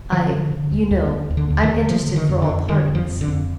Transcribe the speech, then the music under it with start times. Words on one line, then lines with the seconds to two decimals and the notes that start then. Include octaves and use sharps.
I--you know--I'm interested for all parties.'
0.12 D3 F3
0.32 D3
0.52 D3
0.71 D#2
0.91 D#2
1.10 D#2
1.30 D#2
1.37 D3
1.50 D#2
1.63 D#3
1.70 D3
1.90 D3 F3
2.09 D3
2.16 D#3
2.29 F2
2.42 D3
2.49 F2
2.68 D3 D#3
2.88 F2
2.95 F3
3.08 F2
3.21 D3
3.28 F2